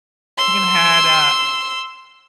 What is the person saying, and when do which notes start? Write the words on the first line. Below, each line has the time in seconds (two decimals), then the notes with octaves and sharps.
even had a
0.37 C6 E6